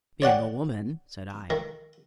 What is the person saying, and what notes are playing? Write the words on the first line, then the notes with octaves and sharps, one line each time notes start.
"Being a woman," said I.
C#5 D5 F#5 G5
D#3